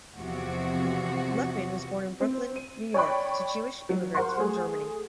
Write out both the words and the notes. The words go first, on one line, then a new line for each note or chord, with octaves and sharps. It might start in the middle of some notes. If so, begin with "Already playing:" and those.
Luckman was born in Brooklyn, New York, to Jewish immigrants from Germany.
E2 C3 F3 F#4
C4
D#7
C#5 D5 G5 B5 C#6
F#3
A#4 C5 F#5 C6 C#6
A3 G#4